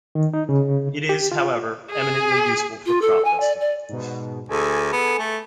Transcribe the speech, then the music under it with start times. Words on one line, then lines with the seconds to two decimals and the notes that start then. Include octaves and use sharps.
It is, however, eminently useful for cropdusting.
0.15 D#3
0.34 D#4
0.49 C#3
1.09 G4
1.32 F4
1.91 G#4
2.86 F4
3.01 A4
3.24 G#5
3.40 D5
3.60 D5
3.89 G#2 B2
4.49 D2 G#4 A4 G#5
4.92 B3
5.19 A3